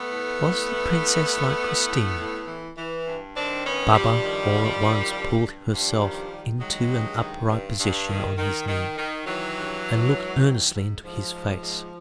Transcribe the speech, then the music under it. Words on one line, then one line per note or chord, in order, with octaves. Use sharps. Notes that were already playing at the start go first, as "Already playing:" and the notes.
"Was the princess like Christina?" Baba all at once pulled herself into an upright position on his knee, and looked earnestly into his face.
Already playing: A3 B3
A2
A2
E3
A2
A2
A2
A2
A2
E3
E3
G2
D#3 C4 D4
G2 B3 C#4
G2 F3 G3
D#3
G2
D#3
G2
G2
G2 F3 G3
D#3
D#3
D#3 F#3 G#3
G2
D#3
G2
G2
D#3
D#3
D#3
D#3
D#3 E3 F#3
G2
G2
G#2
D#3
G#2
G#2 F3
G#2
G#2